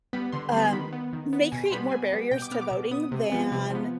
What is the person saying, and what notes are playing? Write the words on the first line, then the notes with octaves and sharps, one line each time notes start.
um, may create more barriers to voting than
G3 B3 B5
D3 C6
G3 B3 C6
D#3 B5
B3
D#3
B3
B2 G#5
C6
G3 B3 B5
B2 G#5
G3 B3
B2 G5
D6
B3 F6
D6
B2
B3 D#6
C3
F3 B3
C3
F3 B3